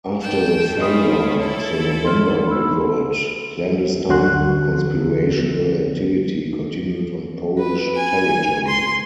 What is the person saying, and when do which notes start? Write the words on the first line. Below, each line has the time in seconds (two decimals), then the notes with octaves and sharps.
After the failure of the November Revolt, clandestine conspiratorial activity continued on Polish territory.
0.21 G5 A5
0.78 C#3 F4 D#5 B5 D#6
1.38 E4 A4 C#5 A5
2.05 C6 F6
2.47 B5 E6
4.09 D2 D3 F#4 C6 F#6
7.58 B4
7.95 G#5
8.67 C6